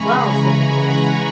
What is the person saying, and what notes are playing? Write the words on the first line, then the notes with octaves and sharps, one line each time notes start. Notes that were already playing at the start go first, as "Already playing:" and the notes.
'Well!' said the Phoenix.
Already playing: C#3 E3 G#3 G#5 A#5 B5 C#6
F#5 A#5